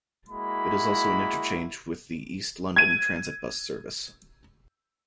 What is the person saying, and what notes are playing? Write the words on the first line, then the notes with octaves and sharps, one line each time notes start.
It is also an interchange with the East London Transit bus service.
G#3 A#3 E4 F#4 B5
G#6 D#7